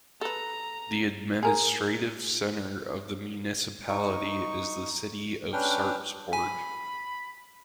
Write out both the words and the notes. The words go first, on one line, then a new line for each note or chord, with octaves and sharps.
The administrative centre of the municipality is the city of Sarpsborg.
A4 B4 A#5
G#4 A#4
D#4 C#6
C#4 D4 B4 G5 F6
G#5 B5